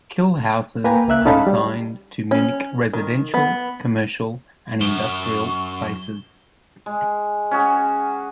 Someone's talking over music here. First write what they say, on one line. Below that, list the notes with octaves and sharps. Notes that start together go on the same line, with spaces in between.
Kill houses are designed to mimic residential, commercial and industrial spaces.
A#3 B4 G5 G#5 A#5
C#2 A#3 E5 F#6
C#4 D#4 A4 F5 A5 B5
G3
C#4
D#3
B3
F#2 C#6 E7 G7
G#3
C#4 F#4 G#4